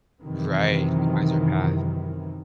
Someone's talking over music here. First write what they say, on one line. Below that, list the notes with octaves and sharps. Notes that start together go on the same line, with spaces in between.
Right. She finds her path.
F#2 C3 D#3 E3